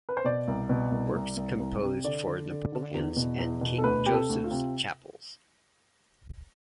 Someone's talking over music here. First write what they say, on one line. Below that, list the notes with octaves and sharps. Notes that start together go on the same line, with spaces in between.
Works composed for Napoleon's and King Joseph's Chapels.
B4
C5
B2 D5
C2
B2
C2
C2
C2
C2
C3
D3 D5
D3
D3
D3
E2
B2
E2
B2
A4
D2 B4
C3 G4
A4
D2
F4
C3